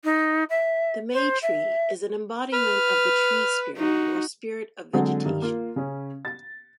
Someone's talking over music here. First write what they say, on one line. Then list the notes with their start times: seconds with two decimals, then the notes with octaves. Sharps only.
The May-tree is an embodiment of the tree-spirit or spirit of vegetation.
0.04 D#4
0.49 E5
1.13 C5
1.42 E5
2.53 B4 F6
3.77 D#4 F#4
4.93 D3 F#3 G#3 C4
5.25 G2 D#3
5.42 A#3 F4
5.76 C#3 C#4
6.25 A6